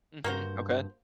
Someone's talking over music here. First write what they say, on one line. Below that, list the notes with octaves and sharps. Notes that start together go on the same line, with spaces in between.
Mhm. Okay.
G2 A#3 F#4 C5